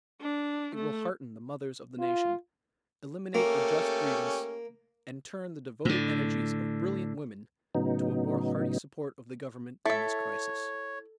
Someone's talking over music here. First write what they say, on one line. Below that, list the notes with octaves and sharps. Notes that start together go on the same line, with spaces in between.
It will hearten the mothers of the nation, eliminate a just grievance, and turn the devoted energies of brilliant women to a more hearty support of the Government in this crisis.
D4
A3
F4
A3 A#3 C#4 G4
A2 D3
A2 C#3 F#3 B3 D#4
E4 A4 C#5 E5